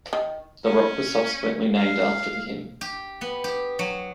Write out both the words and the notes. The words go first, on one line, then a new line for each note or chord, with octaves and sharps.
The rock was subsequently named after the hymn.
D#3
C#4
F5
G4
B3
G4
F#3